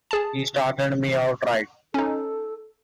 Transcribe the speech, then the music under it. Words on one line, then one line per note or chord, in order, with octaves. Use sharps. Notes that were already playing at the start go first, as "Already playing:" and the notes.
He started me out right.
G#4 A5
C#4 D#4 A4